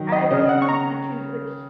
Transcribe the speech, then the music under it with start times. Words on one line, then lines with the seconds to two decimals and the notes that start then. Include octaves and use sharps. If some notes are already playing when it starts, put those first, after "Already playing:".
I really intentionally choose which
Already playing: D#3 F#3
0.12 D#5
0.31 C#3 D#5
0.49 F#5
0.62 C#6
0.69 A#5